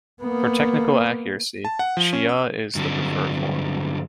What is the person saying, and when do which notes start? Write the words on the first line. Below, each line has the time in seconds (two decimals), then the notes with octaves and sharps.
For technical accuracy Shi'ah is the preferred form.
0.22 A#3 B3
1.65 A5
1.79 F#5
1.97 F3
2.13 C#4
2.29 E6
2.75 G2 D3 F#3 C4